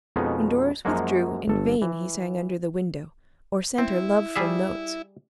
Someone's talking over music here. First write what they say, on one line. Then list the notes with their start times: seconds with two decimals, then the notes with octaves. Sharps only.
When Doris withdrew, in vain he sang under the window, or sent her love-full notes.
0.16 F2 B2 G#3 B3 C#4 D#4
0.85 F#2 F3 F#3 G#3 A#3 F#4
1.48 G1 A4
1.82 E3
3.78 C4 E4
4.36 G3 G#4 E5